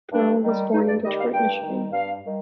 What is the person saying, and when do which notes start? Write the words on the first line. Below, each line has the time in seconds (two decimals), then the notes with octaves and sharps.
Burrell was born in Detroit, Michigan.
0.12 G2 D4
0.43 D#3 G3
0.73 G2 D#4
0.88 D5
1.03 D#3 G3 D#5
1.18 F5
1.32 G2 G5
1.62 D#3 G3
1.92 G2 F5
2.22 D#3 G3